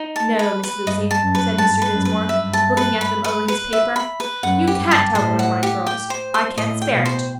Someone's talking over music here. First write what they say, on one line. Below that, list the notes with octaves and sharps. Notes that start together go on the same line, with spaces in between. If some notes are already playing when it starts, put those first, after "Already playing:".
"No, Miss Lucy," said Mr. Dinsmore, looking at them over his paper, "you can't have one of my curls; I can't spare it."
Already playing: D#4
A5
B4
B4
G2 D#5
A5
F#2
B4
G2 A5
B4
F#2
B4
G2 E5
A5
B4
B5
B4
B4
E5
B5
B4
F#2 F#5
G4
G2
A5
A2 C5
F#5
G4
G5
C5
C6
A2 D#5
G5
B2
C5